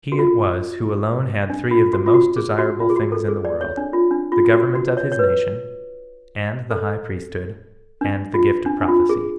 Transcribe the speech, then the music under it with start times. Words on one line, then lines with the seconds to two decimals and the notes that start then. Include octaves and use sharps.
He it was who alone had three of the most desirable things in the world,--the government of his nation, and the high priesthood, and the gift of prophecy.
0.12 F#4
0.19 F4
1.50 D4
1.71 F4
1.93 F#4
2.06 F4
2.14 F#4
2.36 G#4
2.58 F#4
2.80 F4
2.90 G#4
2.96 F#4
3.12 A4
3.28 G#4
3.45 D5
3.61 C#5
3.77 D4
3.93 F4
4.11 D4
4.32 F4
4.45 F4
4.53 F#4
4.75 F#4
4.97 C#5
5.12 C#5
5.19 B4
6.71 A4
8.01 D4
8.34 F4
8.66 D4
8.81 D4
8.88 F4
9.09 G#4